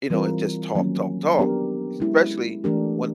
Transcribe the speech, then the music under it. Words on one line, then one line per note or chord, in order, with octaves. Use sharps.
you know, and just talk, talk, talk, especially when
E3 G3 C4 F4 A#4
D#3 F#3 A#3 C#4
F#3 B3 D4 G4 A#4
G#3 C#4 E4
E3 A3 D4 G4 A#4